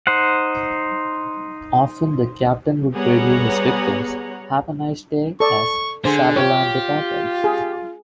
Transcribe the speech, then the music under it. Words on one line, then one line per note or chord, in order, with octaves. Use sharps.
Often, the captain would radio his victims "Have a nice day" as "Sabalan" departed.
D#4 C5 F#5
G3 B3 G#4 C#5 F#5 A#5
A4 D5 C#6
D3 G#4 C5
F4 G4 C#5
G#4